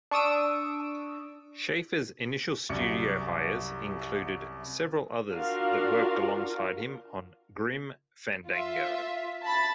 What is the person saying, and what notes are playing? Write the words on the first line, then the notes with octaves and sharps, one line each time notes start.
Schafer's initial studio hires included several others that worked alongside him on "Grim Fandango".
D4 C#6 D#6 E6 D7
C2 F#2 C#7
D4 F4 F#4 A#4 F5
F4 E5
A5 B5 A6